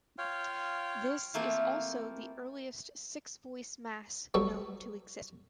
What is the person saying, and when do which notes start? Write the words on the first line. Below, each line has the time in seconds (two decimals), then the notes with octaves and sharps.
This is also the earliest six-voice mass known to exist.
0.18 F4 C#5 F5 G5
1.34 E3 A3 A#3 C4 F4 G4
4.34 F#3 G3 B3 A4 C#6